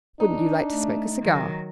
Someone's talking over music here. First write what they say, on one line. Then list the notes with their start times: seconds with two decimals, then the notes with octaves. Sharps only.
Wouldn't you like to smoke a cigar?
0.20 D4 D#4
0.71 A3
1.23 D#3 F#3